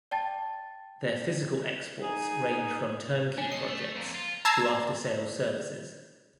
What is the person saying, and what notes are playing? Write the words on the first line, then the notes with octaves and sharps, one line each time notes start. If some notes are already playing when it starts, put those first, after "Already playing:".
Their physical exports range from turnkey projects to after sales services.
D5 G5 A5 A6
D#4 G#4
C#4 D4
A4 D#5 C7
A3
F2 A#2
F4
A5 A#5 E6 G#6 C7